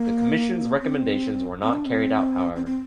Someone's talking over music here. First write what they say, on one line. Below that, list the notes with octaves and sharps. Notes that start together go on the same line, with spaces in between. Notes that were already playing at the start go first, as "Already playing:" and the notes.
The commission's recommendations were not carried out, however.
Already playing: A#3
C4
C4
D4
C4
C4
C4